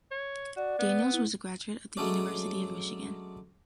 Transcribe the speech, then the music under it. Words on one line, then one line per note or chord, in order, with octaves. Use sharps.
Daniels was a graduate of the University of Michigan.
C#5
F#4 D5
B3
E4
F#3 G#3 A3 C#4 D4